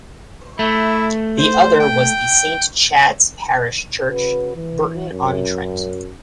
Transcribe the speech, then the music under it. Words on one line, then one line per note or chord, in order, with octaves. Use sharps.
The other was the Saint Chad's parish church, Burton-on-Trent.
A3 E4
C5
G5
C#3 F#4 B4
E3
F#2